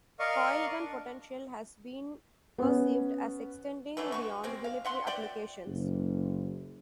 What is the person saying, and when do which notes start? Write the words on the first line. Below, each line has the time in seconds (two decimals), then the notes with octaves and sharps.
Coilgun potential has been perceived as extending beyond military applications.
0.19 A#4 D5 D#5 F5 C#6
0.79 D4
2.58 B3 C#4
3.97 E3 F#3 A3 D4
4.12 F#4 C#6
4.43 G3 G#3 C4
4.64 F5
4.85 E5 F#5 C6
5.07 F#4 D5 E5 G5
5.66 F#1